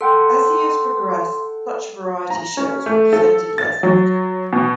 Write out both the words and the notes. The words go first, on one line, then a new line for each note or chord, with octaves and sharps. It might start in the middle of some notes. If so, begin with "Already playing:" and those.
As the years progressed, such variety shows were presented less often.
A4 F#5 G5 C6
A#5
C#4
A3
A4
A6
F#3
B2